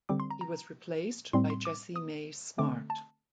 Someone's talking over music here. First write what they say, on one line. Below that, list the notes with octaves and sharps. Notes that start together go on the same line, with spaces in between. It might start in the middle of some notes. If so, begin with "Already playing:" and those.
He was replaced by Jessie May Smart.
D3 G3 C4 D6
C6
A#5
A#5
A2 G3 C4 C6
C6
D6
D#6
D3 A3 C4 D6
A5